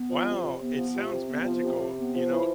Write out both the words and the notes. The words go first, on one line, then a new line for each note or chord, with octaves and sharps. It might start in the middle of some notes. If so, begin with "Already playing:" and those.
Wow, it sounds magical, you know,
Already playing: B3
F3
C3
C3
B3
F3
C3
C3
B3
F3
C3
C3
B3
F3
E3